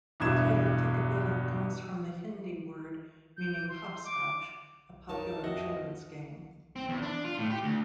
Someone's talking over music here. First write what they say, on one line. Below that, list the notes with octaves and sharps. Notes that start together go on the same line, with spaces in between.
The title "Tikkabilla" comes from the Hindi word meaning "Hopscotch", a popular children's game.
E2 G2 B2 E5 G#6 E7
G6
C6
D6
D#4 A#4 C#5 A5
F2 F#4 D#5 E5
C4
E2
D4
F4
A2
G4
D2